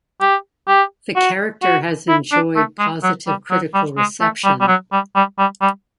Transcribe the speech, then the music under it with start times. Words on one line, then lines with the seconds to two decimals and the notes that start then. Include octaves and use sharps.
The character has enjoyed positive critical reception.
0.21 G4
0.68 G4
1.16 F#4
1.63 F#4
2.09 E4
2.32 D4
2.56 A3
2.79 G#3
3.03 F#3
3.27 G3
3.51 F#3
3.74 G3
3.97 G#3
4.21 A3
4.45 G3
4.60 G3
4.68 F#3
4.92 G3
5.15 G3
5.39 G3
5.62 G3